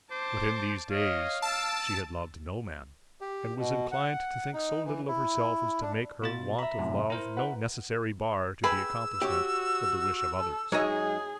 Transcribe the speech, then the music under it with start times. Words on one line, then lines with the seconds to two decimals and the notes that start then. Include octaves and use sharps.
But in these days she had loved no man, and was inclined to think so little of herself as to make her want of love no necessary bar to the accomplishment of the wish of others.
0.11 C5 A5 D6
0.91 C#5 D#5 F5
1.42 A5 E6 D7
3.21 G4
3.57 B2
3.92 F#5
4.54 D#4
4.85 E3
5.08 E4
5.82 D4
6.22 B2 F4 A6
6.59 E5 A#5 B5
6.78 F#2 A2 C3
7.10 E4 A#4 C5
7.37 B4 F#5
8.64 G#4 B4 G5 B5 E6
9.22 F#4 G4 C#5
10.39 A4
10.72 F#2 G#3 D#4 G#4 C#5 D#5